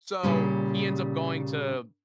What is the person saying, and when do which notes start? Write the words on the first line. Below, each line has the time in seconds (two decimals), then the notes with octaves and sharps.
So, he ends up going to
0.23 A#2 C#3 G3